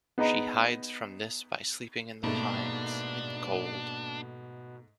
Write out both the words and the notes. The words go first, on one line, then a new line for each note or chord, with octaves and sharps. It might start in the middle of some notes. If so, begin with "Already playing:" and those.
She hides from this by sleeping in the pines, in the cold.
B3 D#4 G#4 D#5 A#5
G#2 B2 A3 A#3 D4 B5